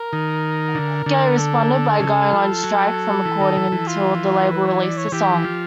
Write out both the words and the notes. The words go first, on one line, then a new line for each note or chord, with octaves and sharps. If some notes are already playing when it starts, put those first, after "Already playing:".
Gaye responded by going on strike from recording until the label released the song.
Already playing: A#4
D#3
D3
D3
A4
C#3
F3
F#3
E3
D#3
E3
E3
F4
B4
C#5
D5
C#5
E3 G4
F3